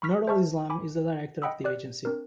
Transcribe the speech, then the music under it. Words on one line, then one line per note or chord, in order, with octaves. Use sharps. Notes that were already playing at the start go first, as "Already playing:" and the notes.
Nurul Islam is the Director of the agency.
B5 C#6 F6 B6
C5 E5 A5 C#6 F6
G#5 B5 D6
D#5 F#5 G5 B5 D#6 E6
G4 D5 F#6
C4 D4 A#4